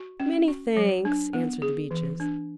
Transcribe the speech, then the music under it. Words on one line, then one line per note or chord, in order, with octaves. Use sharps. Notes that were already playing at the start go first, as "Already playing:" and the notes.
"Many thanks," answered the Beeches.
Already playing: F#4
C#4
F#4
F#3
D4
B3
G#4
E3
D4